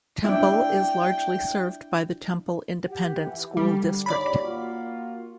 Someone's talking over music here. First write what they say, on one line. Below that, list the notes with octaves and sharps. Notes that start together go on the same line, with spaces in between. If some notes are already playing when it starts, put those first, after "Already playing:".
Temple is largely served by the Temple Independent School District.
D4 E4 G5
G4 F#5
E3
D3 G3
D#2 G#2 C#5 D5 B5
A#3 F4 F#4